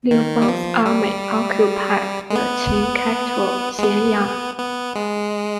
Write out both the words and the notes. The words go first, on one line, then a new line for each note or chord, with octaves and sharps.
Liu Bang's army occupied the Qin capital Xianyang.
D#3
G3
F3
G3
G#3
B3
G#3
B3
B3
G#3